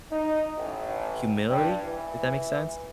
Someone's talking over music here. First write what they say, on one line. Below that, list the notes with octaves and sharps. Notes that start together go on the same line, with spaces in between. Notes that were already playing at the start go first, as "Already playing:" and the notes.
humility, if that makes sense?
D#4
A1
G2
E3